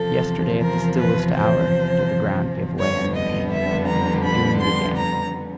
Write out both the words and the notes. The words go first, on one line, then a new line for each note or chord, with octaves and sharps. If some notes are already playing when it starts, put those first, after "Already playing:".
Yesterday at the stillest hour did the ground give way under me: the dream began.
Already playing: E2 C3 F3 A4
A#4
B4
C5
F2 D3 G3 B3 C#5
D#5
E5
A#5
B5
C6
A#5